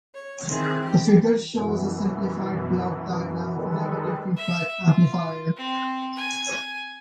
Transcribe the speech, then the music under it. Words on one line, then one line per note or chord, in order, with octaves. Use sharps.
The figure shows a simplified block diagram of a negative feedback amplifier.
C#5
D#3 C4 E4 G#4
E3 G4
F#2 B2 E3
D#3 G3 G#3 A4 B4
E5
F4
C4
G#5